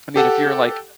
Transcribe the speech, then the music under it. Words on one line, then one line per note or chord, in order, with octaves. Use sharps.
I mean, if you're like
G4 A4 F#5